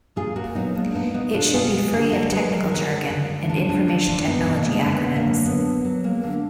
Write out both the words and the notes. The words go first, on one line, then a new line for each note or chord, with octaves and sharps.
It should be free of technical jargon and information technology acronyms.
A#2 F4 G#4
A#2 F#4 A#4
F#3 B3 D#4
G#3 A#3 D4
A#2 B3 D#4
A#2 B3 D#4
B2 D4 F4
B2 F4 G#4
G#3
D3 F4 G#4
D3 F#4 A#4
F#3 G#4 B4
D3 F#4 A#4
D3 F#4 A#4
G#3
D3 F#4 A#4
D3
G#3 D4 F4
G#3 D4 F4
D3 D4 F4
D3 D4 F4
D4
B2 B3 D#4
B2
A#3 D4
G#3
D3 B3
D3
A#3
F#3
D3 B3
D3
F#3
G#3 A#3
D3 A#3